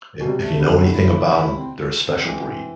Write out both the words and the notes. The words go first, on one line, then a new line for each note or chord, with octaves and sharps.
I if you know anything about 'em, they're a special breed.
B2
C3 G3
A3
D3 B3
C4
E4
E4
C4
C4
E3